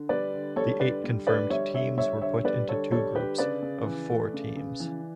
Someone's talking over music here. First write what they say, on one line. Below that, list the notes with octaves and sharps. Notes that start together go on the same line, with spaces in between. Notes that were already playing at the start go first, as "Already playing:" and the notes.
The eight confirmed teams were put into two groups of four teams.
Already playing: D3
G3 B4 D5
D3
G3 A4 C#5
D3 B4 D5
G3
D3 B4 D5
G3 C#5 E5
D3 C#5 E5
G3 C#5 E5
D3 C#5 E5
G3 B4 D5
D3 A4 C#5
G3 A4 C#5
D3 G4 B4
C#3 B4 D5
C#3
E3
A3
C#3
C#3
E3